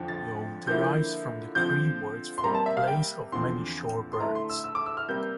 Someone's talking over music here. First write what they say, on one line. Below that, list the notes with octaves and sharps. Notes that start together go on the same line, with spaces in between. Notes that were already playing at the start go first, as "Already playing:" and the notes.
Ma-Me-O derives from the Cree words for "place of many shore birds".
Already playing: F2 D3 F3
A6
D3 F3 A#3 E4 G6
D3 F3 C4 G6
C6
C3 G3 A#3 A#5
A5
E5
F5
G5
E2 D3 F3 C4 C6
C6
D3 A3 E4 A#5
C6
E6
E6
D6
E6
F6
C3 G3 A#3 G6